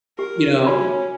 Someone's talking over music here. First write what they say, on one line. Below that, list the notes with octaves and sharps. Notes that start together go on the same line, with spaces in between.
you know?
G4 A#4
C#4 F#4 C#5 B5